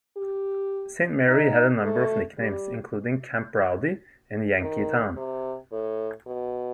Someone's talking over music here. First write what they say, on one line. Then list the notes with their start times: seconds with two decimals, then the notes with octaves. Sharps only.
Saint Mary had a number of nicknames, including Camp Rowdy and Yankeetown.
0.17 G4
1.28 D#4
1.83 A3
2.39 G3
4.61 D#3
5.17 C3
5.72 A2
6.27 B2